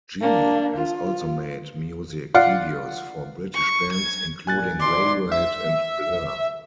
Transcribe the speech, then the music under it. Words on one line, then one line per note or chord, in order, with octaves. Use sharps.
Gee has also made music videos for British bands including Radiohead and Blur.
A#3 D4
F4
F4 D5 F5 F#5
C#6
G#6
A#2 G#5 F#6 A6
B2 E3 D5 C6 D6
E5